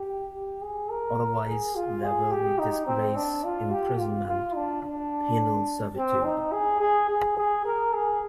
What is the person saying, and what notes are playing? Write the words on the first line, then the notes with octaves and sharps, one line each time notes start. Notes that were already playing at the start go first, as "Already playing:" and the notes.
Otherwise there will be disgrace, imprisonment, penal servitude.
Already playing: G4
G4
G#4
A#4
G#4
F4
G#4
G4
D#4
C4
D4
F4
G4
F4
F4
D4
D4
C4
D#4
G#4
G#4
G#4
G#4
A#4
G#4